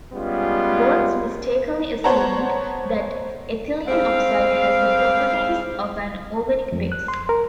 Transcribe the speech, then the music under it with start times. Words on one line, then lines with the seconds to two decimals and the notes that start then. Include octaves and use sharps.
Wurtz mistakenly assumed that ethylene oxide has the properties of an organic base.
0.14 G3 G#3 B3 C#4 F4
2.04 B3 C5 C#5 F#5 A5 A#5
3.88 G3 G#3 C4 F5
6.72 F2
6.92 F#6
7.08 C6
7.29 A#4